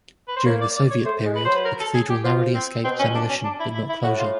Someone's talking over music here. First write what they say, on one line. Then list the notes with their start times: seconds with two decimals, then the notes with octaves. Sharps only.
During the Soviet period, the cathedral narrowly escaped demolition, but not closure.
0.28 B4
0.36 C5
0.45 A#3 C#5
0.61 D5
0.76 D5
0.91 C#5
1.05 A3 C5
1.25 G#3
1.36 B4
1.45 F#3 C5
1.55 B4
1.65 A#4
1.80 A4
1.94 G#4
2.10 G4
2.24 F3 F4
2.55 C4
2.84 B2 C4
2.99 C#4
3.15 D4
3.29 C#4
3.44 D4
3.60 E4
3.75 E4
3.89 E4
4.04 A2 F#4
4.19 F4